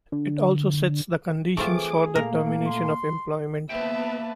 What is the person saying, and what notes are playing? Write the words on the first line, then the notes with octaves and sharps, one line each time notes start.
It also sets the conditions for the termination of employment.
D3
E3 A3 C4 F4 G#4 D6
A#2 A3 A#3 A#4
C6
A#3 B3 B4 C5 E5 G5 A5